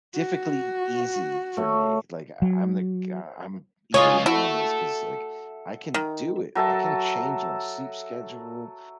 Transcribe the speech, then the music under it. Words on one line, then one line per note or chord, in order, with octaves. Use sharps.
Typically easy for me, like I I'm, like, uh, I'm either one is ‘cause, like, I can do it. I can change my sleep schedule.
F#4
A3 C#5
F#3
C#2 F4 G#4 C#5 D#5 G#5
E4 F#4 A4 E5
D#3
F#3 A4 E5 A5